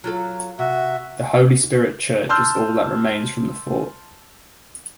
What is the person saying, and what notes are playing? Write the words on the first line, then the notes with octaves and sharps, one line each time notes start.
The Holy Spirit church is all that remains from the fort.
F#3 F4 A4
C3 F#4 E5
A5 C6 E6 F6 G6